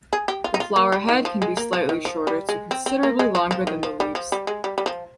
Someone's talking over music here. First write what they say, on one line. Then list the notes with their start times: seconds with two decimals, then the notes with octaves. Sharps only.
The flower head can be slightly shorter to considerably longer than the leaves.
0.13 G#4
0.28 G4
0.44 F4
0.54 D#4
0.60 F4
0.76 A#3
0.92 G3
1.09 D#3
1.25 F3
1.42 G#3
1.57 A#3
1.73 F3
1.89 D#3
2.05 F3
2.27 G3
2.49 G#3
2.71 C4
2.86 C4
3.03 A#3
3.19 G#3
3.35 F3
3.51 F3
3.67 D#3
3.83 F3
4.00 G3
4.15 F3
4.32 G3
4.47 G#3
4.64 G3
4.78 G3
4.86 F3